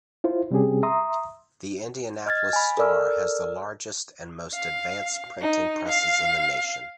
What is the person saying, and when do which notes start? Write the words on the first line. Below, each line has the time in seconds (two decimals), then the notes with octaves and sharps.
The "Indianapolis Star" has the largest and most advanced printing presses in the nation.
0.24 E4 F4 C5
0.51 C3 G3 C4 C#4 G4 G#4
0.83 E5 A#5 C6 D#6
2.26 D#5 F6 G#6 A6
2.53 G#5 B5
2.77 A4 A#4 D5 E6 F6
4.54 F5
5.41 D#4
5.88 F5